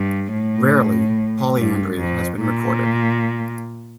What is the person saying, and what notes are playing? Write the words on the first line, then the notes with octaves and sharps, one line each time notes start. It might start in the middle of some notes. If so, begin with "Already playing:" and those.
Rarely, polyandry has been recorded.
Already playing: G2
A2
G2
F2
A#2